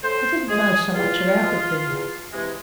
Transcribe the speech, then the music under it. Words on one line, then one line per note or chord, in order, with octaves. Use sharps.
I didn't know so much about it then.
A2 C5
F3 G#3 G#4
E2 F4
B2 G#3
E2
C3 E3 G#3